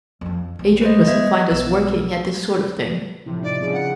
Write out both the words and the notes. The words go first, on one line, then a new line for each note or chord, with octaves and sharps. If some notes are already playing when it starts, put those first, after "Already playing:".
Adrian mustn't find us working at this sort of thing.
F2 F3
B1 D#3
B4 C5 D#5
D#3 B3 D#5 E5 G#6
B1 E6
A2 C3 F3 E4
D#4 D5
C#3 F3 C4 G#4
F#5